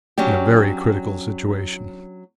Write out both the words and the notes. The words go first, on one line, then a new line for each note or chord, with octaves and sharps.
In a very critical situation.
F#3 C#4 D4 G4